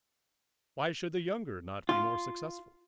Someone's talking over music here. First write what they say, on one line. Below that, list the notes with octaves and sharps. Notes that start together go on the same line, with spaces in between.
Why should the younger not be more successful?
F4